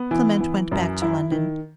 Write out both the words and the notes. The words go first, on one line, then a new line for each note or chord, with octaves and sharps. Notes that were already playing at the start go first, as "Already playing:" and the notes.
Clement went back to London.
Already playing: B3
E3
E3
F#2
E4
D#3